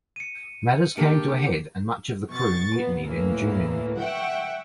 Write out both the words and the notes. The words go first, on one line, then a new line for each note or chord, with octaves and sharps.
Matters came to a head and much of the crew mutinied in June.
C#7 D#7
A#3 D4 F4 G4 A4
B2 C#6 A6
A#2 B3
D2 A2 E3 A#3
E5 F#5 G5 C#6